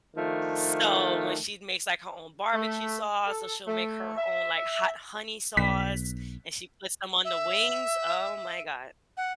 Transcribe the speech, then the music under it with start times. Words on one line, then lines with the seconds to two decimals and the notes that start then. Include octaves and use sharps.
So, when she makes, like, her own barbecue sauce, so she'll make her own, like, hot honey sauce and she puts them on the wings, oh my god,
0.16 D#3 F3 A3 D4
2.54 A3
3.26 A4
3.67 A3
4.17 E5
5.57 B1 B6
7.25 E5
9.17 F#5